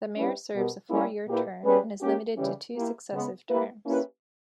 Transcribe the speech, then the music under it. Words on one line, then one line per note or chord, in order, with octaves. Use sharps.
The mayor serves a four-year term and is limited to two successive terms.
G3 C#4 E4 G4 B4
B2 G3 B3 G4 A#4
G3 A#3 C#4 E4
A#2 A#3 E4 G4 B4
G3 C#4 G#4 B4
A#3 C#4 G4
C#3 E3 G3 C#4 G4
A#3 E4 G4
C#3 G#3 B3
A#3 E4 G4 B4
A#3 C#4 E4 G4 B4